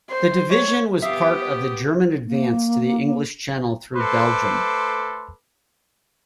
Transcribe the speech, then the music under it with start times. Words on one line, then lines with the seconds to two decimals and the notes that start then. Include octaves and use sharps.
The division was part of the German advance to the English Channel through Belgium.
0.10 C5
0.51 C#5
1.02 B3 G4 E5 F5 D#6
2.27 A#3
3.95 A3 A4 B4 C5 C6 D6